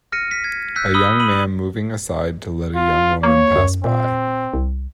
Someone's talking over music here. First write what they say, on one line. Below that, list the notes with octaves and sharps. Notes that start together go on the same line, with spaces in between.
A young man moving aside to let a young woman pass by.
F6 A#6 C#7 D#7
B6
G#6
E6 F#6 G6 B6
B5 D#6 E6 D#7 F#7 G7
B5 D#7 F#7
F4
A#3 C#5
F#2
A#2 C4
C2